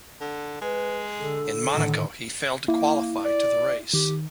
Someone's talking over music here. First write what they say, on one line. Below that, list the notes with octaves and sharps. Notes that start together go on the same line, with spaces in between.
In Monaco he failed to qualify to the race.
D3
G#3 B4
D3 A4
A2 D3 D#3 F#3
A#3 E4
D5
D#3 G4